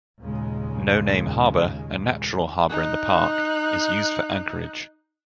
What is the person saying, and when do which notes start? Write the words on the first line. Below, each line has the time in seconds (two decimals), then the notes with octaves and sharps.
No Name Harbor, a natural harbor in the park, is used for anchorage.
0.21 D#2 A#2 C#3 G#3
2.69 D#4 F#6